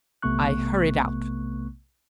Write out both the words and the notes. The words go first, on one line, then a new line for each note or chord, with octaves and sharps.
I hurried out.
B1 C3 A3 B3 C#6 F#6